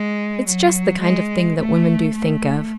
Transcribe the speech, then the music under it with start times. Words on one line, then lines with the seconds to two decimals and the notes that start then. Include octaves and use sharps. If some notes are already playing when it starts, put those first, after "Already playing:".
"It's just the kind of thing that women do think of."
Already playing: G#3
0.47 F#3
1.02 G#3
1.58 A3
2.14 A3